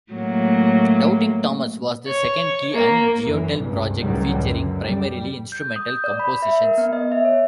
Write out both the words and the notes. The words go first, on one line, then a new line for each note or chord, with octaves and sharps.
Doubting Thomas was the second Key and Geottel project, featuring primarily instrumental compositions.
A2 F#3 A#3
C#5
A#3
F#2 E3
C#2 G2 C3
C#2 A2 D#3 F#3 G3
F#2 D3
G3
G6
D#6
G6
D5
B5
E5
A#4
B3
D#5
E5
C#5